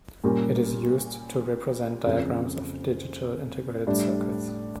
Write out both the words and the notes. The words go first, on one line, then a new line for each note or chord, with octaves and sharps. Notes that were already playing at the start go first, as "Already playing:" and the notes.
It is used to represent diagrams of digital integrated circuits.
A#2 G3 C#4 G4 A#4
F2 C#3 F3
A2 G3 D4